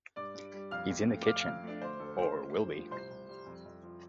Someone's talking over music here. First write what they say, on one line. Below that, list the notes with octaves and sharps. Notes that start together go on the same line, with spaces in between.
He's in the kitchen — or will be.
G2 D5 D6
G2
G3
F2 F5 F6
F2
A3
D6
F2 F5 F6
F2 F5 F6
A3 D4 D5
D2 C5
D2 A4
A3 C5
A3
G2
F3
C2 C5 C6
C2
G3
F2
F2
F3